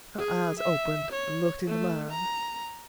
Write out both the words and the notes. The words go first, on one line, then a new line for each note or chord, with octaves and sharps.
Her eyes opened and looked into mine.
G#4
E5
C#5
A3
A#5